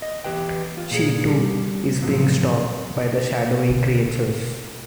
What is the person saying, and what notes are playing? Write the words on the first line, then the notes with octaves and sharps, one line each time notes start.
She, too, is being stalked by the shadowy creatures.
D#5
E2 D#3 G4 B4 G5
F4
A#2 G#4
G3
A2 F3 F#3 B3 C4
B2 D3